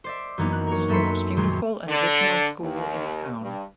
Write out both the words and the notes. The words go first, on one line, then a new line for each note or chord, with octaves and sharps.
It is the most beautiful and original school in the town.
C5 D5 E5
F#2 E3 A#3 B3 D#4
F#6
A#4 C#5
F#2 A4 E5 B5 C6 C#7
D#1 A#1 F#3 C6
D3
D#2
G2